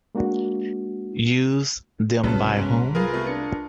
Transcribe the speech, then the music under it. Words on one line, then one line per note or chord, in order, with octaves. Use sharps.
Used, then, by whom?
G#3 A#3 D4 F#4
C2 F#2 C#3 B4 A5
G#2 C#4
F4 G#4 A#4 B4
C3 A3
D4 C#7